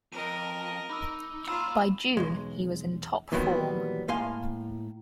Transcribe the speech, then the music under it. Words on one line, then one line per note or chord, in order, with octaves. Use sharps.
By June, he was in top form.
F2 A#4 D#5 D#7
D#4 B5 D6 E6
A#2 F4 A#5 B5 E6 E7
B1 E2 G#3
A#2 D#3 E3 F#3 G3 B3
A2 G#3 A#3 F5 G#5 C6